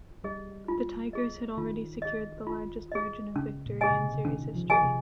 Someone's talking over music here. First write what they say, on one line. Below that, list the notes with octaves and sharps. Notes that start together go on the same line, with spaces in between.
The Tigers had already secured the largest margin of victory in series history.
G3 G#4 D#5
F4
G#4 D#5
D#3 F4
G#4 D#5
F4
G#4 D#5
C#3 C#4
A#2
G#4 D#5 G#5
C3
C#3
C#3
D#3 C#4
F3
G#4 D#5 G#5
C3